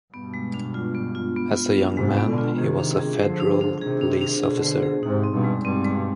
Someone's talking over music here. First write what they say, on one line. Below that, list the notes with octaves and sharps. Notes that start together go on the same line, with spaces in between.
As a young man he was a federal police officer.
G2 B2 B3
G#3
D4
F4
B3
F4
B3
F4
D4
G#2 C3 G#3
B3
B2 D3
F4
C3 D#3 G#4
D4
G#4
D3 F3 C5
D4
D4
C3 D#3 G#4
D4
D4
B2 D3 G#4
C5
G#4
G#2 C3 D#4
C4
G2 B2
G#3
G2 B2 C4
G#3